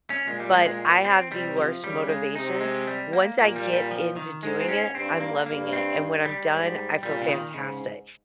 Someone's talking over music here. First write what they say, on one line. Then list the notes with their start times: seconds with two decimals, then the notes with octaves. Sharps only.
but I have the worst motivation, once I get into doing it, I'm loving it, and when I'm done, I feel fantastic,
0.10 C#4
0.27 A#2 G#3
0.40 G3
0.54 G#3
0.66 G#3
1.05 C4
1.31 C3 G3
1.57 F3
1.83 C#3 G3
2.09 G#3
2.35 C3 D#4
2.61 G#3
2.87 G3
3.13 A#3
3.38 A#2 A#3
3.56 G3
3.73 G3
3.91 F3
4.16 D#3
4.43 G#2 G#3
4.61 C4
4.68 C#4
4.94 G2 C4
5.20 A#3
5.46 G2 A#3
5.73 C4
6.25 G3
6.51 G#2
7.03 A#2 G3
7.22 C#3
7.28 D#3
7.54 G#2 C#3